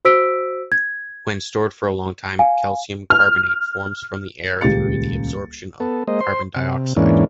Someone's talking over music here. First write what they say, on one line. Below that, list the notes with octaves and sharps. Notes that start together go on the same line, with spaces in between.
When stored for a long time, calcium carbonate forms from the air through the absorption of carbon dioxide.
F#4 C5 E6 B6 D7
G#6
F5 G#5
F6
D#1 C#2 G4 A6 C#7
B3 A4
G#3 A#3 C5 D#5
C5 C6
C3
E2 G#2 E3 A#3 C#4 D4